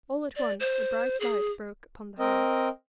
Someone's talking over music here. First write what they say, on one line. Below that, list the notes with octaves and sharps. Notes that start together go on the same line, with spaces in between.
All at once a bright light broke upon the House.
D5
C5
G#4
C4 A#4 D#5